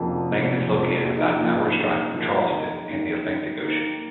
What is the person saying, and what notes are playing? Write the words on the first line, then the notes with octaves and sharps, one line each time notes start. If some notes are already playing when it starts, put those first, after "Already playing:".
Lane is located about an hour's drive from Charleston and the Atlantic Ocean.
Already playing: F1 F2 F3 A#3 F#4
F1
F2 F3 A#3
A#1 F#4
D#4
F4
A#2 F3 A#3
D#4
A#1 D#4
A#2 F3 A#3
D#2 D#4
D#3 A#3
D#2
D#3 A#3